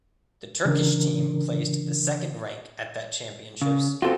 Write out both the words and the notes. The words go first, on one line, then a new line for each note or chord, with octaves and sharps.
The Turkish team placed the second rank at that championships.
C#3 E3 D4 A#4
C#3
C4 F4 F#4 A4